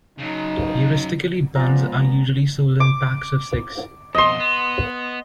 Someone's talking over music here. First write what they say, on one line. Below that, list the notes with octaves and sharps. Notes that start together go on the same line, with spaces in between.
Heuristically buns are usually sold in packs of six.
C#3 F#3 D#4
F3 G#3 B3 D5 G#5 A#5
D6
F2 B2 D#5 C6
B3